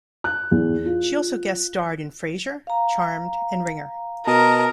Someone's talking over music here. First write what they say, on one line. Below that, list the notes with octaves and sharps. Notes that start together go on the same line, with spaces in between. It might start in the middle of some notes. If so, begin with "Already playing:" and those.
She also guest-starred in "Frasier", "Charmed", and "Ringer".
F#6
E2
F4
F5 A#5
B2 A#4 D#5 A5